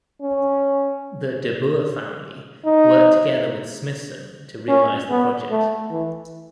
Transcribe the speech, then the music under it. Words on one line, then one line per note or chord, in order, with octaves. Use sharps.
The De Boer family worked together with Smithson to realise the project.
C#4
D#4
C#4
B3
A3
E3